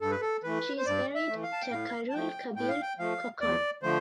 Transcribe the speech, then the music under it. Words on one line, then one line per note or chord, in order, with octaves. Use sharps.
She is married to Khairul Kabir Khokon.
G2 A4
B4
A4
E3 A3 B4
C5
G2 D5
E5
E3 A3
F5
A5
G5
A2 F5
A5
F3 A3 G5
A2 G5
F5
G5
F3 A3 F5
E2 D5
D3 F3 A3 C5